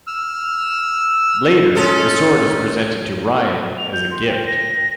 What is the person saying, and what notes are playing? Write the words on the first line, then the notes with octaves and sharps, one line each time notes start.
Later, the sword is presented to Ryan as a gift.
E6 F6
G#3 C#4 A4
F7
G6
C6
G5
A#6